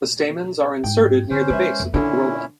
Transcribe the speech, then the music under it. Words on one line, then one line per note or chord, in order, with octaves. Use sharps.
The stamens are inserted near the base of the corolla.
G#2 G5
D3 C#4 C5
G#3 B4 E5
F2
A#2 D3 A#3 C#4 D4 E4